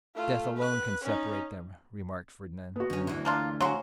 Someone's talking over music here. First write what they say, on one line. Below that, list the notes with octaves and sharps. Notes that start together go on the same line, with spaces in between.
"Death alone can separate them," remarked Fernand.
A3 F4
B4 F#6
C#4 D#4
B3 F#4
F#2 D3 C#4
D2 E3
A#3 D4 F4
F#3 F#4 C5 F5 G#5